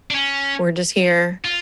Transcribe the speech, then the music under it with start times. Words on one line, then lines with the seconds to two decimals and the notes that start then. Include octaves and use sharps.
We're just here."
0.11 D4
0.15 C#4
1.45 F4